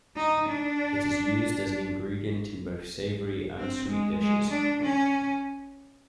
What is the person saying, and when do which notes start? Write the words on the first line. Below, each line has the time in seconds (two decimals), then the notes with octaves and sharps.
It is used as an ingredient in both savory and sweet dishes.
0.16 D#4
0.48 D4
3.58 C4
3.89 G#3
4.20 G#3
4.51 D4
4.82 C#4